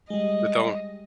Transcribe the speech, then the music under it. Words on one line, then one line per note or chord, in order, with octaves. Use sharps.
but don
G3 G#3 D#5